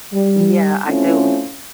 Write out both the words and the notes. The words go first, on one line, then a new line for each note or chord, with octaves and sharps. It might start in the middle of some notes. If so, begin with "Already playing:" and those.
Yeah, I do.
G3
A3 C4 C#4 E4 F4